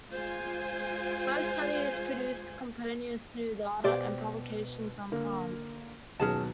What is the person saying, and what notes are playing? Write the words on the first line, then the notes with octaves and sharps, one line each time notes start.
Both studies produced copious new data and publications on palms.
G#3 F4 C5 G#5
B2 G4 C5 D5
D3 A#3
D#2 B2 F#3 C#4 G#4 A5